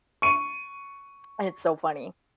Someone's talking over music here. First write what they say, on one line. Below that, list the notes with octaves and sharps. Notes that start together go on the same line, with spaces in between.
And it's so funny.
C#6 D#7